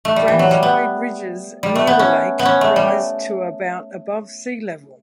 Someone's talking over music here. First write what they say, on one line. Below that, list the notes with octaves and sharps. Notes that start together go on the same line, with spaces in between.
Granitoid ridges near the lake rise to about above sea level.
A3
G3
E3
F#3
G3
B3
G3
A3
B3
C#4
B3
C#4
A3
G3